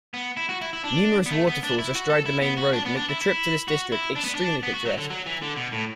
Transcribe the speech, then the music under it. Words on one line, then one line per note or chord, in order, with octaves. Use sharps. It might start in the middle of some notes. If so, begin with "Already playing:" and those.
Numerous waterfalls astride the main road make the trip to this district extremely picturesque.
B3
E4
F#4
E4
E4
D4
B3
A3
B3
D4
E4
F#4
A4
E4
B3
F#4
D4
B3
D4
E4
E4
F#4
E4
D4
B3
D4
B3
F#4
F#3
D3
F#3
E3
D3
B2
A2